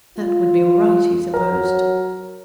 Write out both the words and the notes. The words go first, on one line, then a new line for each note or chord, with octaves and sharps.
That would be all right, he supposed.
F4
F#3 A#4